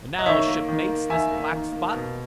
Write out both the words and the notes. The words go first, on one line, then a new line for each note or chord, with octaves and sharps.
And now, shipmates, this black spot?
D#5
D#3 C#5 E5
A#3
D#3
A#3
D#3 E5 G#5
A#3
D#3
A#3
B2